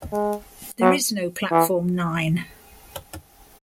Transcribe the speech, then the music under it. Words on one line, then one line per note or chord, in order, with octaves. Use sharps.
There is no platform nine.
G#3
F#3
E3